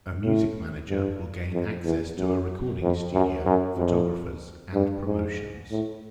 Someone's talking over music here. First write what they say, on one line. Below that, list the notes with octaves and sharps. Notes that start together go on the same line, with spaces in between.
A music manager will gain access to a recording studio, photographers, and promotions.
A2
G2
F2
E2
F#2
F2
F#2
F#2
F2
G2
G#2
A2